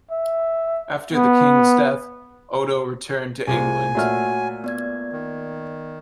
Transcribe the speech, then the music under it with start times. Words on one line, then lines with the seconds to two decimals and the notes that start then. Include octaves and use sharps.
After the king's death, Odo returned to England.
0.11 E5
1.14 B3
3.47 C2 F4 G4 G#4 C5 G#5
3.95 A#2 A3 F#4 C#5 F#5 F6
4.64 B3 D5 G#6
5.13 D#3